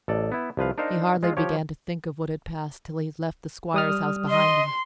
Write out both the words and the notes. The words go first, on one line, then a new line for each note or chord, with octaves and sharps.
He hardly began to think of what had passed till he had left the squire's house behind him.
A1 A4 D5
B3 E4
C2 F3 B4 F5
D4 D#4 A#4 C5 F5
G#3 F4
F3 G4 C#5
G3 D#6 F6
D#5 C6